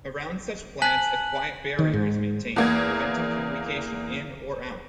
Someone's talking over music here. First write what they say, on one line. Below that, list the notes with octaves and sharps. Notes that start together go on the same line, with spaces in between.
Around such planets a Quiet Barrier is maintained, preventing communication in or out.
G#5 A5 F#6 B6 F#7
D#3
G#2
E2 A#3 G#6